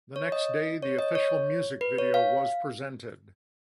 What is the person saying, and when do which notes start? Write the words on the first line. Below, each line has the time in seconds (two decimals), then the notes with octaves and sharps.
The next day the official music video was presented.
0.16 C#5
0.32 D#5
0.82 C#5
0.99 D#5
1.15 C#5
1.81 B4
1.98 C#5
2.14 F5